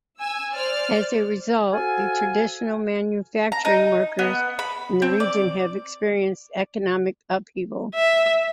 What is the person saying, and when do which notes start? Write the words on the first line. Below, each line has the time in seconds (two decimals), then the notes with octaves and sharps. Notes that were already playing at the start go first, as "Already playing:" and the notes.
As a result, the traditional manufacturing workers in the region have experienced economic upheaval.
0.19 G#5 E6
0.53 C5 D5 F6
1.72 F#4 A4 C5 F5 G#5
3.52 A#5
3.65 D#4
4.19 B3
4.59 B5
5.02 C4
5.20 D5
7.95 E5